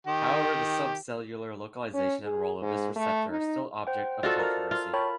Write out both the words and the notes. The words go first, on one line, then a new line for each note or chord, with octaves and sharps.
However the subcellular localization and role of this receptor are still object of controversy.
D#3 G4
C#4
G#4
G#2
A3
D#4
C5 F#5 G5
F4 F#4 A4 C5 D5 D#5
A#4 F6
F4
A#4 C#5 G5 A5 B5